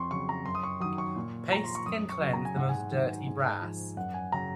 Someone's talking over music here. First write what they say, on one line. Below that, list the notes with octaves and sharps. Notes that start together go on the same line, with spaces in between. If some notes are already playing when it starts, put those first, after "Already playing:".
Paste can cleanse the most dirty brass.
Already playing: F2 C6 C#6
C#3 F#3 C#6
A#5
F#2 C6
D#6
C#6
D#3 F#3 D#6
C#6
A#2
F3 A#5
C6
C#6
F#2 D#6
C#6
C#3 F#3
A#5
G#5
G#2 F#5
G#5
D#3 F#3
G#2
F3
F#2 F#5
G#5
C#3 F#3 A#5